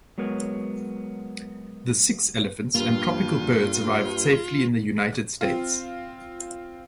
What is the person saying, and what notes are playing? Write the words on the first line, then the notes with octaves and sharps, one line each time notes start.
The six Elephants and tropical birds arrived safely in the United States.
F#3 G#3 B3 A#4 C#5
G2 A#3 F4
C4 F4